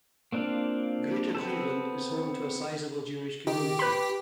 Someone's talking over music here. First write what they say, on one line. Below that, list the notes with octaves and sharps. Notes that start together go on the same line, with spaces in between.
Greater Cleveland is home to a sizable Jewish community.
A#3 C4 D4 F4 F5
B3 C4 A4
D#3 G4
B4 B5